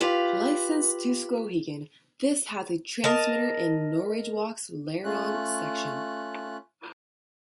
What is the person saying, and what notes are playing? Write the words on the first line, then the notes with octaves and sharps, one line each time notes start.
Licensed to Skowhegan, this has a transmitter in Norridgewock's Larone section.
F4 G4 B4 F5
A#4 D#5 A5
A3 C#4 F4 F#6